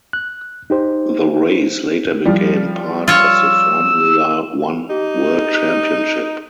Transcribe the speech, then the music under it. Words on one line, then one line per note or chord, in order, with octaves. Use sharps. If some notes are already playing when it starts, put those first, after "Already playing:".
The race later became part of the Formula One World Championship.
F#6
D#4 G4 C5
F3 G3
F4 C#5 E6
D#4 G4